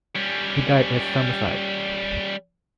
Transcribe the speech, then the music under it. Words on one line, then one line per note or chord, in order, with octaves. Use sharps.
He died at Summerside.
G3 C#4